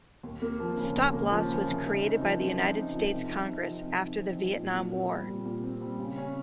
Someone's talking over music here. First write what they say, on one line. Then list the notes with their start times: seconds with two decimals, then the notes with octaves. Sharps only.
Stop-loss was created by the United States Congress after the Vietnam War.
0.23 D#2
0.42 A#3
0.60 F3
0.78 C#3
0.95 D#2
1.13 A#3
1.31 F3
1.49 C#3
1.68 C3
1.86 D#4
2.03 C4
2.21 F3
2.40 C3
2.57 D#4
2.75 C4
2.93 F3
3.12 C3
3.29 D#4
3.48 C4
3.65 F3
3.83 C3
4.02 D#4
4.19 C4
4.37 F3
4.56 A#2
4.73 A#2
4.92 C4
5.09 G3
5.27 A#2
5.45 A#2
5.64 C4
5.81 G3
5.99 C#3
6.17 C#4